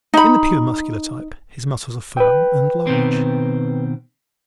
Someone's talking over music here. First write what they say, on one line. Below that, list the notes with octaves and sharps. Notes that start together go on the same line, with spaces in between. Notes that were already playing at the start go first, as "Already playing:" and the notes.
In the pure Muscular type his muscles are firm and large.
D#4 B5
B4 G5
B2 D#3 C4